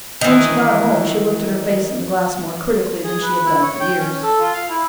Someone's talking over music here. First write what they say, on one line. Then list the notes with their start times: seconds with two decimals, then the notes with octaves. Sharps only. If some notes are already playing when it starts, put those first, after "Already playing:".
When she got home she looked at her face in the glass more critically than she had done for years.
0.21 D#3 E3
3.04 G#4
3.22 B4
3.45 E4
3.62 C#5
3.80 G5
3.97 C#4
4.23 A4
4.39 F4
4.53 F5
4.70 E4